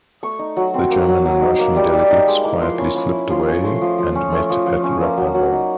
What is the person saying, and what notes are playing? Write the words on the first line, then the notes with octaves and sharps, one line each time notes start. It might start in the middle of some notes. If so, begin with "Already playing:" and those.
The German and Russian delegates quietly slipped away and met at Rapallo.
A3 C#6
D#4
F#3
C4
A#3
F#3
F#3
D#4
A#3
G3
G3
D#4
G#3 D6
E4 D6
F3 C6
C#4 B5
A#3 B5
E4
F3 C6
C#4
A3 C6
F3
F3
C#4
A3
F3
F3
C#4
A#3
F#3
F#3
D#4